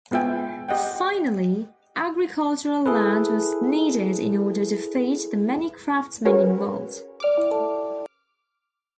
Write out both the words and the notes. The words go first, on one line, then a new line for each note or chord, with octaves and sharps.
Finally, agricultural land was needed in order to feed the many craftsmen involved.
G#3 B3 F4 E5 G5 G#5
G4 D#5 F#5 G5
E4 G#4 A4 B4
C#4 F#4 G#4 A#4 B4 C#5
D6 F6